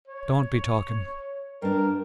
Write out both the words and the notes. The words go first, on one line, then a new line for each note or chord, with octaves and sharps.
Don't be talking!
C#5
G2 D4 A#4